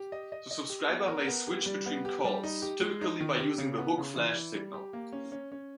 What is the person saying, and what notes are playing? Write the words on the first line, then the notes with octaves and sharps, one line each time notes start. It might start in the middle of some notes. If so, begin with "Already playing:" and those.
The subscriber may switch between calls, typically by using the hook flash signal.
Already playing: G4
D#5
D#5
D#5
G4
B3
A#4
B3
G4
G3
B3
G4
G3
D#4
G4
G#3
D#4
D#3
G4
C#3
B3
C#3
E3
E3
G3
G4
A#3
C#4
C#4
C#4